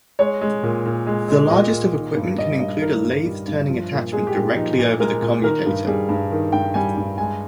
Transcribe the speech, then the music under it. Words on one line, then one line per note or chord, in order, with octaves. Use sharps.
The largest of equipment can include a lathe turning attachment directly over the commutator.
G#3 C#5
G#3
A#2
A#2
G#3
G#3
A#2 D#5
A#2
D#3
G2
G3 D#5
G2 D#5
D#3 A#4
G2
G3
G2
F3
A#2
G#3 G#4
G4
A#2
F3 D#4
A#2
G#3 A#4
A#2
D#3 A#4
G2
G3 G#4
G2
D#3
G2 G5
G3 G#5
G2
G#3 G#5